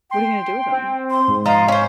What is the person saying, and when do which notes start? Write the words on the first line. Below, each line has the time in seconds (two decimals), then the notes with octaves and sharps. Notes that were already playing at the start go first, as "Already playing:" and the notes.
what are you gonna do with 'em?
0.11 G5 C6
0.72 C4
1.11 C6
1.28 G#2
1.46 F3 D#5 F5 A#5
1.68 C#4 C5